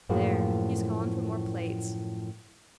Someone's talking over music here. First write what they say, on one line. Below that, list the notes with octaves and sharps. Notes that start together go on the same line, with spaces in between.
There, he's calling for more plates.
F#2 A2 F3 A#3 F#4 G#4